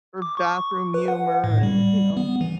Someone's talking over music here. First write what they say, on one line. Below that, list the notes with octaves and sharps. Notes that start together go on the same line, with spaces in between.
or bathroom humor, and, you know
D6
C#6
B4
F#5
A2
G3
B3
E3